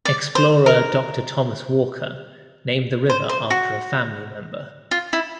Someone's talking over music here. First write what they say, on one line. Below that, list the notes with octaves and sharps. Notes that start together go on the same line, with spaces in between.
Explorer Doctor Thomas Walker named the river after a family member.
D5
C5
A#4
C5
C5
F#4
F4
E4